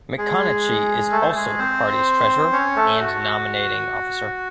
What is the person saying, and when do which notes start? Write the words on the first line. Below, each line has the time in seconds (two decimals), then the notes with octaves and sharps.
McConnachie is also the party's treasurer and nominating officer.
0.18 G#3 G#4
1.12 A3 A4
1.22 C5
1.28 A4
1.35 G#3 G#4
1.59 C4 C5
2.53 C#4 C#5
2.76 A3 A4
3.00 F#4